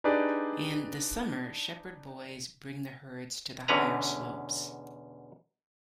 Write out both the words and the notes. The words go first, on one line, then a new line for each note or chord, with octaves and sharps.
In the summer shepherd boys bring the herds to the higher slopes.
D4 D#4 G4 G#4 B4 D5
E2 B2 D3 C#4 B4 A#5